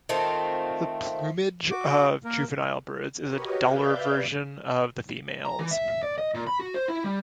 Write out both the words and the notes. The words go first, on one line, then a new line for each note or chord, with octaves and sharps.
The plumage of juvenile birds is a duller version of the female's.
D#3 A3 C4 F4
F#4 D6
A#3 A#4
F#4 G4 A#4 B4 C#5 D#5
B4 D5 E5 F5 G6
A#5
E3
E5
E5
D5
D#5
A#2
B5
F#4
C5
E4
G3